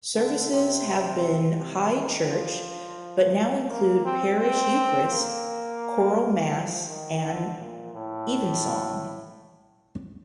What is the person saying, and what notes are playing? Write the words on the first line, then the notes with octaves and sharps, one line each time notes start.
Services have been high church but now include Parish Eucharist, choral Mass and Evensong.
D3
C3
C3
D#3
F3
A#3
C4
C4
A#3
F3
D#3
D3
A#2
A2